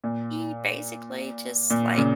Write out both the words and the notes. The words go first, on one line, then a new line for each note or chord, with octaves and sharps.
he basically just like
A#2
A#2
A#2 C#3